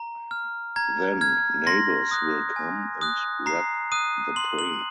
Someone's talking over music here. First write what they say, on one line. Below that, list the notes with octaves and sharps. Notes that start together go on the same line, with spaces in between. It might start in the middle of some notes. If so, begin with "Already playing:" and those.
Then neighbors will come and wrap the prey.
Already playing: A#5
F6
A#5 G#6
F6 G#6
C6 A#6
D#6 F#6
G#5
D#6 F#6
A#5 C7
D#6 F#6 D#7
C6 F#7
F#7